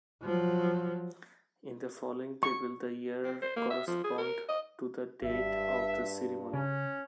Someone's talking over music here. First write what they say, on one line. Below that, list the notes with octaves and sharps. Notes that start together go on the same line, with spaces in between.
In the following table, the years correspond to the date of the ceremony.
F3 F#3
C#6
C4
C5
A#3
E5
F3
G#4
A#4
D#5
G#1 G2 E5
C#3 C#4